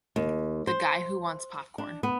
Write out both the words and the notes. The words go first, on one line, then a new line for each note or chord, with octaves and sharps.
The guy who wants popcorn.
D#2
C5
D4
B3